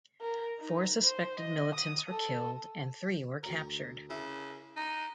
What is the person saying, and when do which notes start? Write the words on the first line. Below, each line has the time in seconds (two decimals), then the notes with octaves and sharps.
Four suspected militants were killed and three were captured.
0.21 A#4
0.60 D#4
1.02 C5
1.40 D#5
1.75 D#6
2.10 A4
3.43 D2 A#4
4.10 C#3 E4
4.77 D#4